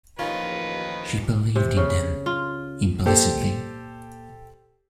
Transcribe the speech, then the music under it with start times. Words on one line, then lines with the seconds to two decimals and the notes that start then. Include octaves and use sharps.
She believed in them implicitly.
0.19 A1 D#2 D#3 F3 C#4 F4 B4
1.56 C3
1.77 C#3
2.26 F4
3.06 A#2 G4 A4 C5